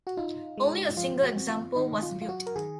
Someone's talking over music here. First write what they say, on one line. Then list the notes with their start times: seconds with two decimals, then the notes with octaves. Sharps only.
Only a single example was built.
0.07 F#4
0.17 D#4 F4
0.58 G#3
0.97 F3 F4
1.23 F#4
1.37 C4
1.50 F4
1.76 D#3 D#4
2.02 F4
2.15 F#3
2.22 F4
2.29 F#4
2.47 A#4
2.56 D#3 G#4